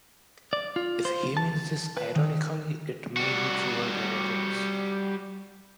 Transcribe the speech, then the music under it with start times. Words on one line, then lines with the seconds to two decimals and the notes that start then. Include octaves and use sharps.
If he means this ironically, it may be truer than he thinks.
0.53 D5
0.76 F4
1.05 C5
1.37 A5
1.97 B4
2.16 D#3
3.17 G3 F#4